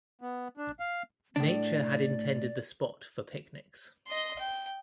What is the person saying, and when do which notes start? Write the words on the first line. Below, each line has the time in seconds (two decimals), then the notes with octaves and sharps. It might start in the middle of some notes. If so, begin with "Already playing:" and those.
Nature had intended the spot for picnics.
0.21 B3
0.57 D4
0.80 F5
1.36 A2 D4 D5
4.07 D#5 C6
4.39 G5